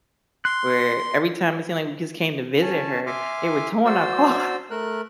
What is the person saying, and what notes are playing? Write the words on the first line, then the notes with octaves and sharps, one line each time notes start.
where every time it seemed, like, we just came to visit her, they were towing our car.
C6 F#6
C#4 G#5 A5
E5 G#5 C6 D6 F6
F#4 C5 D5 C6 E6
A3 A#4 F#6